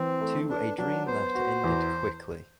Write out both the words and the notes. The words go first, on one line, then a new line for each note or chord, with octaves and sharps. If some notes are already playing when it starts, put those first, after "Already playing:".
To a dream that ended quickly.
Already playing: E3 C4
A3
D4 B4
F#3 D4
B3 C5
F#4
E2